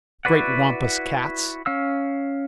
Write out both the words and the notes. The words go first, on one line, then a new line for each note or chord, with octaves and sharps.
Great Wampus Cats!
E4 F#4 B4 D5 F#5
C#4 F5 E6